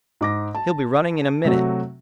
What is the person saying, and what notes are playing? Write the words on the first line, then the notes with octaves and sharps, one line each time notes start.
"He'll be running in a minute."
G#2 D6 A#6
A5
C3 F#3 A3 F#4